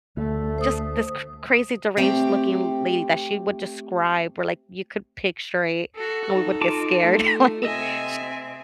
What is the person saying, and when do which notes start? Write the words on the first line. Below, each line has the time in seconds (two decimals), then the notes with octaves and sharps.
just this cr crazy deranged looking lady that she would describe where, like, you could picture it, and we would get scared, like, she'd
0.17 D2 A3
0.58 C5 D#6
1.97 A3 C4 G4 G5
5.95 F#4 A4
6.31 D#4 A4
6.61 F4 A5 D6
7.03 A3
7.65 C3 C4 D#5 E5 G#5